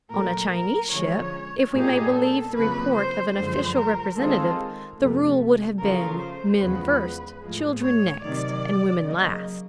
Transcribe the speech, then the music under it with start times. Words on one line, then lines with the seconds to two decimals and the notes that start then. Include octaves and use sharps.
On a Chinese ship, if we may believe the report of an official representative, the rule would have been "Men First, children next, and women last."
0.10 A#2 F#3 A3 A#4
0.52 A#4
0.91 D3 F3 G#3 C#4 C#5
1.73 A#2 G3 A#3 D#4 G4 G#4
2.14 A4
2.55 F2 C#3 F#3 A#3 B4
2.95 C5
3.35 F#2 D3 F3 G#3 C5
3.76 A#4
4.17 D#3 G#3 C4 F4 G#4 A4
4.98 F2 C3 F3 A3
5.79 C#3 F3 A3 C#4 F4 A#4
6.20 C5
6.60 E2 C#3 F3 G#3 B3 B4
7.41 A2 F3 G#3
7.82 C#5
8.22 C3 D#3 F#3 D5
9.04 C#3 F#3 A#3 D#5